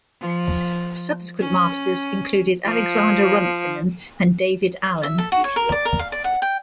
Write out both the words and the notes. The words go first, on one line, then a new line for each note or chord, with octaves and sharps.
Subsequent masters included Alexander Runciman and David Allan.
F3
C#4
F3
E5
A4
F#4
C#5
A#4
D5
A#4
F5
D5
F#5
G5